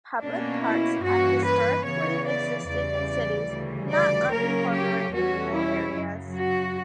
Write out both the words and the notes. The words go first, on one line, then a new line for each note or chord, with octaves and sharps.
Public parks had historically existed in cities, not unincorporated rural areas.
B2 A#3 C#4 D4
E4
G2 E3 A#3 C#4 F#4
B4
C#3 E3 B3 C#5
D5
E2 C#3 E3 G3 D5
D2 C#3 E3 G3
D5
C#3 F#3 A#3 C#4 A#4
G4
E2 B2 G3 C#4 F#4
E4
F#2 C#3 F#3
F#4